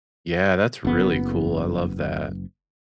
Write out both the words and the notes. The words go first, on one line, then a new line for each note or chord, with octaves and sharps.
Yeah, that's really cool, I love that,
F#1 B3